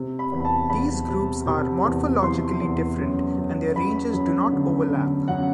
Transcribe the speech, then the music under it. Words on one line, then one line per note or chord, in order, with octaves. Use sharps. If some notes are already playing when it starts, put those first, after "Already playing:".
These groups are morphologically different and their ranges do not overlap.
Already playing: C3
B5
E2
B5
A5
E2 B5
C3
C3
E2
E3 C6
E2
F#2
F#2
F#2 B5
F#2
D3
D3
F#2 F#5